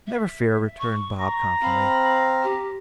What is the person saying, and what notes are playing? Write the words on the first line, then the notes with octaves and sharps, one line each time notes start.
"Never fear," returned Bob confidently.
E5
C#6
A#5
C4 F5 B5
G4